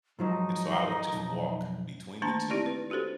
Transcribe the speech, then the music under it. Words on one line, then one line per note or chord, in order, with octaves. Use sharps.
and so I would just walk between the two,
G#2 F3 F#3 D#4
B1 F2
D#3 A3 A#3 D4 A5 A#5
C4 D#4 E4 G4 D5
B4
D4 F#4 G4 A4 C5